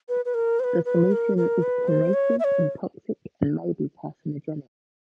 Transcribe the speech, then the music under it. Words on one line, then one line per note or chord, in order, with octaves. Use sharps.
The solution is corrosive and toxic, and may be carcinogenic.
B4
B4
A#4
C5
B4
B4
A#4
A#4
B4
C5
C#5
E5
C#5